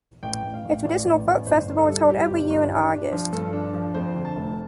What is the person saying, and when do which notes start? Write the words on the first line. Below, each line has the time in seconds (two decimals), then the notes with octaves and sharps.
A traditional folk festival is held every year in August.
0.23 A1 G5
0.44 A1
0.54 F5
0.65 A1
0.85 A1 D5
1.06 A1
1.27 A1
1.47 G1 C5
1.67 G1
1.78 A4
1.88 G3
2.09 G3 G4
2.30 G1
2.50 G1
2.71 D4
2.91 D4
3.12 F3
3.32 G2 A4
3.53 D4
3.74 F3
3.94 F2 C5
4.15 D3
4.25 A5
4.36 F1